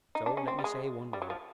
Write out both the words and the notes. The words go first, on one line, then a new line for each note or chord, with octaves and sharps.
So let me say one word.
D#4
D4
C#4
C4
G3
G#3
G3
F#3
F3